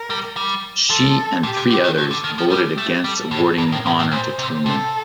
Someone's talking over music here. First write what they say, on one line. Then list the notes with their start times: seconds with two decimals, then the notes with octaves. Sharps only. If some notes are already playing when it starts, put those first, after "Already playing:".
She and three others voted against awarding the honour to Truman.
Already playing: A#4
0.10 G3
0.37 G3
0.90 F3 A4
1.43 A#2 G4
1.57 C3
1.71 D3
1.84 D#3
1.98 D#3 A4
2.11 D3
2.24 D#3
2.38 F3
2.51 G3 G4
2.78 A3
3.04 G3 A4
3.31 A2
3.58 G2 A#4
3.72 A2
3.86 A2
3.99 A2
4.11 A#2 C5
4.39 C3
4.66 C3 A4